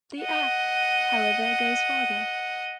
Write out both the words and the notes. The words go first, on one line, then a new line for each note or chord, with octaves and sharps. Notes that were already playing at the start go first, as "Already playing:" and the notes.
The Act, however, goes further.
D#5 F#5